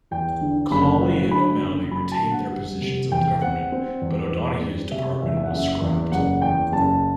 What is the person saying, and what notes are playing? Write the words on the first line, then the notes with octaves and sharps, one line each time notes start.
Colley and O'Malley retained their positions in the government, but O'Donoghue's department was scrapped.
E2 G5
D3
F#1 B5
F#3
D3 B5
F#1
F#3 B5
A5
D3
F#5
G3
C3
E2 G5
C4 F#5
C4
E2
E2
C4
C3 E5
E2 E5
E5
F#5
F#1 E5
E2
F#1 F#5
E2 G5
F#1 A5